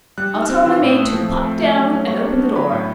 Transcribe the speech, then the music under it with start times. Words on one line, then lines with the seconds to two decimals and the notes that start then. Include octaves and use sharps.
"I'll tell my maid to pop down and open the door."
0.18 G3 F#6
0.34 D#4
0.42 F6
0.49 C4
0.65 E3 E6
0.81 A2
0.89 D#6
0.97 A3
1.13 F3
1.29 C4
1.45 A3
1.61 A3
1.76 F#3
1.93 C#4
2.07 G3 C#6
2.23 D4
2.39 B3
2.55 F#3 B5
2.72 A2